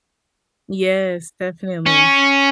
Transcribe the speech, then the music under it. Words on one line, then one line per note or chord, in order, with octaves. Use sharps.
Yes, definitely.
C#4